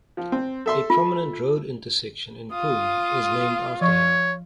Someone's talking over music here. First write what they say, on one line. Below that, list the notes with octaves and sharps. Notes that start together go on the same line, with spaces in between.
A prominent road intersection in Pune is named after him.
F3
C4
A4 E5 C6
F4
F4 F5 D#6
F3 C#5 C#6